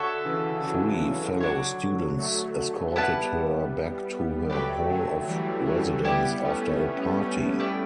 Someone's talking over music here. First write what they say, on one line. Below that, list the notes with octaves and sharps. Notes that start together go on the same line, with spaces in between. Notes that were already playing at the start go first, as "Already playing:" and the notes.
Three fellow students escorted her back to her hall of residence after a party.
Already playing: D3 F#4 A4 C#5 E5
C#3 E3
D3 F#3
D4 F#4 C#5
F#3 A3
G3 B3 E4 B4 F#5 A5
F#3 A3 G4 B4 D5
D3 F#3
E3 G3
F#3 A3
G3 B3 E4 G4 D5
A3 C#4
A3 C#4
E4 B4 D5 G5